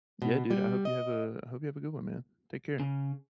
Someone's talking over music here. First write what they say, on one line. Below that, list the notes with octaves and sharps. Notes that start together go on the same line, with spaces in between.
Yeah, dude, I hope you have a I hope you have a good one, man. Take care.
B2
G3
D#5
C#3